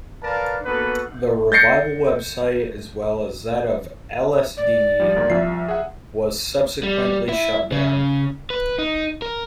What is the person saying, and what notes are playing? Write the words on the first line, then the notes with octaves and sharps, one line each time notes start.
The revival web site, as well as that of "Ellesdee", was subsequently shut down.
A#4 B4 D5 F5 A5
A#3 B3 F#4 A4 B4
G6 A6 A#6 C7 C#7
D5
F3 G3
D2 G#2 A#3
C2 F3 E5 C7
G#4 E5 F#5
G3
E4
C#3
B4
D#4
A#4